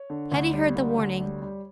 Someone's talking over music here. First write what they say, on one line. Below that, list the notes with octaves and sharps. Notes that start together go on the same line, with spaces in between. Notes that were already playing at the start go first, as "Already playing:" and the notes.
Hetty heard the warning.
Already playing: C#5
D3
D2
G3
D2
D2
G3
G3